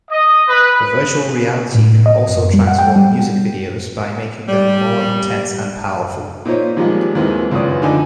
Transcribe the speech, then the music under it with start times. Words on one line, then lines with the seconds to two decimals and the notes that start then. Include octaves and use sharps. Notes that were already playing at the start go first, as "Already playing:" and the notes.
Virtual reality can also transform music videos by making them more intense and powerful.
0.11 D#5
0.48 B4
1.75 A2
2.06 D#5
2.28 F#2
2.54 G3
2.67 F#5
2.79 G5
2.96 G3
4.48 G3
6.45 A#2 D#4 C5 C#5
6.76 A#2 D#3 F3 G3 G#3
7.15 D#2 D#3 E3 G#3 C4
7.51 C#2 F#2 B3 D5 D#6
7.82 D3 F3 D#4 B4 G#5